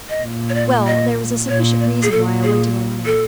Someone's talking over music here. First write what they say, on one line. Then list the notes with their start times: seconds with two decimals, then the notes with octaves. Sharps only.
"Well, there was a sufficient reason why I went in alone."
0.09 D#5
0.23 A#2
0.49 C#5
0.55 D5
0.86 D#5
1.49 A#2 C#5
1.80 D5
2.03 G#4
2.11 A#2 A4
2.43 G#4
3.06 A4